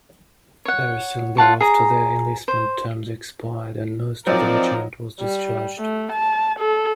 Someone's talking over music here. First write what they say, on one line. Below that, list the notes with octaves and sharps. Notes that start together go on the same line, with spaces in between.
Very soon thereafter, their enlistment terms expired, and most of the regiment was discharged.
C#5 F#5
F4 F#5 A5 C#6
G#4 A#5
C5
F3 F#3 C4 D#4 A#4 D5
G3
A3
A5
A4